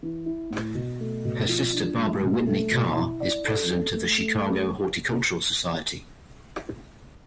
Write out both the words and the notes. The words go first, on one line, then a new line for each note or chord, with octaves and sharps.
Her sister Barbara Whitney Carr is president of the Chicago Horticultural Society.
E3
E4
A2
B2
A3
B2
F3
D4
G#3
B2
A3
B2
E4
D5
A4
A4
A3
A3